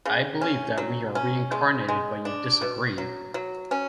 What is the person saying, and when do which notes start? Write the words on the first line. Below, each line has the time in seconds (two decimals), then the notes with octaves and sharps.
I believe that we are reincarnated but you disagree.
0.05 C#3
0.41 C#4
0.78 F#3
1.15 C#4
1.51 G#3
1.89 G#3
2.25 D4
2.62 B2
2.98 F#3
3.34 F#3
3.71 C#4